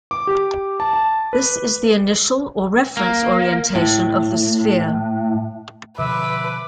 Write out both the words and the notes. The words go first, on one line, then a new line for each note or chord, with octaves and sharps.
This is the initial or reference orientation of the sphere.
D6
G4
A5
A5
B4
A#3
A2
B2 D3 F3 B4 E5 D6